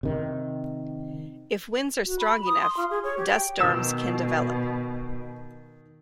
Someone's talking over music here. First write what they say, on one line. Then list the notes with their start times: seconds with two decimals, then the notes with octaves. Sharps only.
If winds are strong enough, dust storms can develop.
0.03 C3 D#3
2.06 F#4
2.19 B5
2.46 D#6
2.61 C6
2.77 F4
2.90 G#4
3.03 C#5
3.17 G4
3.30 G5
3.59 B2 D#3 E6 E7